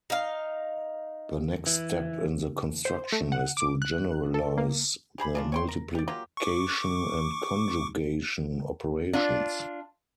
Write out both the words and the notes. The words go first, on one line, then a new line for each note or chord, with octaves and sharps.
The next step in the construction is to generalize the multiplication and conjugation operations.
D#4 F5
E3
C5
A3
F#5
D6
F#6
A4
A#3
G4 G#4 A#5 B5
C#3 D4 F4
C#5 G5 C6
A#4
G4 D5
F#3 A#3 F4 G4
C#6 D6
D4 F4